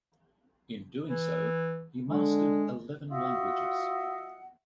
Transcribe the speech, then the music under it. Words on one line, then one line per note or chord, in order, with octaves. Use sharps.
In doing so, he mastered eleven languages.
E3
D3 G#3
F4 F#4 D#5 E5 F#5